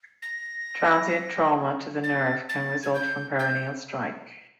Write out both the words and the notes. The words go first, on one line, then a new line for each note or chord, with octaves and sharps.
Transient trauma to the nerve can result from peroneal strike.
A#6
A6
A6
G#6
G6
G6